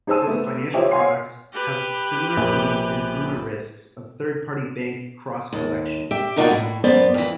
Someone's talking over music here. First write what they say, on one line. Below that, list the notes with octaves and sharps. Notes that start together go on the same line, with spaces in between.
Both financial products have similar fees and similar risks of third-party bank "cross-collection".
D#4 G#4 C5 A5 E6 D#7
A3 B3
F4 G4 C5 C#5 D#5 E5
C#5 F5 F#5 G#5 C6 C7
G4 B4
A#1
D#2
G4 E5
B2 A#3 D4 D#4 F4 F#4
A2
F#2 B3 C5 D5
F2 E3